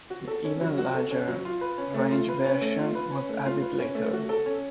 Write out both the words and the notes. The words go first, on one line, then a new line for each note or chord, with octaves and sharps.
The even larger Range version was added later.
F#4
A4
C#4
F#3
F#4
A4
C#4
F#3
F4
B4
C#4
A3
F4
B4
C#4
A3
F4
B4
C#4
A3
F4
B4
C#4
A3
F#4
A4
C#4